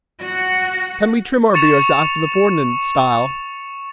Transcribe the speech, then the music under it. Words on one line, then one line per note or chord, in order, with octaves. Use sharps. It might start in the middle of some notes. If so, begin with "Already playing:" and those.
Can we trim our beards after the foreign style?
F#4 F#5
C#6 A6 C#7 E7 F7